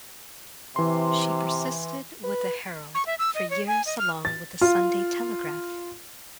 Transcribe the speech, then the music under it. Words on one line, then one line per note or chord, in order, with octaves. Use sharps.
She persisted with the "Herald" for years along with the "Sunday Telegraph".
C3 E3 C6
B4
C#6
E5
E6
D#5
C#5
G#5
D#5
F6
A6
F4